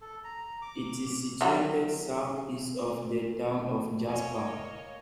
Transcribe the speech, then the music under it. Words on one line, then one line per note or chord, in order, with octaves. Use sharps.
It is situated southeast of the town of Jasper.
A4
A#5
D6
E3 F#3 G3
A#3 C#5 D#5 G#5